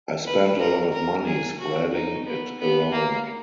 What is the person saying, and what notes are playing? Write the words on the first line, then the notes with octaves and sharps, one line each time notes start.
I spent a lot of money spreading it around.
B4
A#4
A#4
G#4
F#4
D#4
B3
B3
A#3